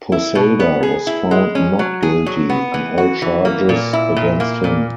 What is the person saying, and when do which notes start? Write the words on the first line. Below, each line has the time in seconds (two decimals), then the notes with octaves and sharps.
Posada was found not guilty on all charges against him.
0.12 E4
0.35 B2
0.60 B3
0.83 G#4
1.07 E4
1.31 G#3
1.55 C#4
1.79 F#3
2.03 G#4
2.26 F#3
2.50 B3
2.74 E3
2.98 F#4
3.22 E3
3.45 A#3
3.69 A#2
3.93 E4
4.16 A#2
4.40 A#3
4.64 A#2